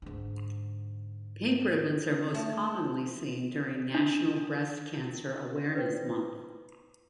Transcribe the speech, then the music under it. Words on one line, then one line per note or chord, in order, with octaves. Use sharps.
Pink ribbons are most commonly seen during National Breast Cancer Awareness Month.
G#2 D3
A3 A5
D4
B4 C5 D5 G5